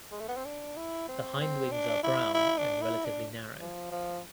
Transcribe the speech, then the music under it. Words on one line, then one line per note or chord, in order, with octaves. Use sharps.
The hindwings are brown and relatively narrow.
G#3
A3
B3
C4
D4
E4
C4
C4
D4
E4
E4
D4
E4
D4
F3
F3